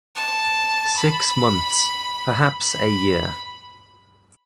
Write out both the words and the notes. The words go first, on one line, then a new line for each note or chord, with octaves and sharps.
Six months, perhaps a year.
A5
B5
B5